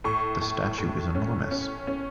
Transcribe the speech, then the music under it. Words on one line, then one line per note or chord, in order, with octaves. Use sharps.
The statue is enormous.
A2 C#6
A2
A2
C#4
C#4
C#4